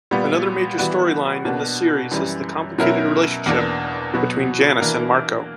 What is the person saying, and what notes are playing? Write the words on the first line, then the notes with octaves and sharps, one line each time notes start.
Another major storyline in this series is the complicated relationship between Janis and Marco.
A#2 G3 B3
E3 G3 B3 F#4
B2 A#3 D4 F#4
F#2 E3 G3
B2 F#3 C#4 E4 A#4
E2 B2 A#3 D4
B2 F#3 B3 F#4
E3 A#3 D4 A#4